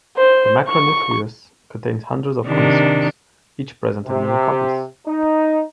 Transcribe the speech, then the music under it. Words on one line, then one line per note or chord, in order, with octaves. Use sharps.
The macronucleus contains hundreds of chromosomes, each present in many copies.
C5
C#6
C3 D#3 D4
C3
D#4